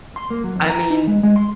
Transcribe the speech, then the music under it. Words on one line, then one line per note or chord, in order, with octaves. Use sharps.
I mean,
C6
A#3
F#3
F2
A#5
D#4
G#3
G#3
C6